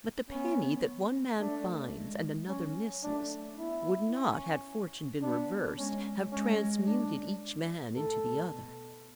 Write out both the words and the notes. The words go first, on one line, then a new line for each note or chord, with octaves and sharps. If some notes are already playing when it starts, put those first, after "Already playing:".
But the penny that one man finds and another misses would not, had fortune been reversed, have transmuted each man into the other.
B3 C#4
A3 D4
G#3
F#3 C#4
A3 D4
B3 E4
C#4
B3 D4
G#3 C#4
G#3 C#4
D4
A2 A4
B2